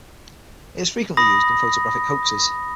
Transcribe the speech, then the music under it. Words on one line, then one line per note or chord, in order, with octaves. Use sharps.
It is frequently used in photographic hoaxes.
B5 D#6 A#6